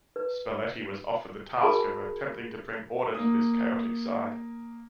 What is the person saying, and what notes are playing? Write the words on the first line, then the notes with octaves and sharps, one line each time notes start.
Spalletti was offered the task of attempting to bring order to this chaotic side.
B4
F#4 G#4 A#4 G#5 A5 B5
A#3 D#6